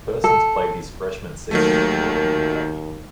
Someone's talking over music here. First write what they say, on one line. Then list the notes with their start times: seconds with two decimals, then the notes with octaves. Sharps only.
Persons played his freshman season at Northern Kentucky.
0.24 A4
1.51 D#2 D#3 F#3 A3